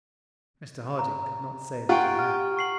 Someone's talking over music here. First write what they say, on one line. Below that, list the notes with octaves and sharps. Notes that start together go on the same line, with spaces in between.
Mr Harding could not say that he had.
A#5
F4 G4 F#5 G5 A#5 C#6 D7
F6
C#6 C7 F#7